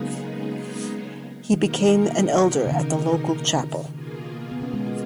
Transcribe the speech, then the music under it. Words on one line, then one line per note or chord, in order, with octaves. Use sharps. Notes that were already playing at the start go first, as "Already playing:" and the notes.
He became an Elder at the local chapel.
Already playing: C#3 F#3 G#3 A#3 B3 D#4 G#4
B2 D#3 A#3 D#4 A#4
C#3
D#3
B2 A#3 F4 G#4
B3
C#4
G#3 B3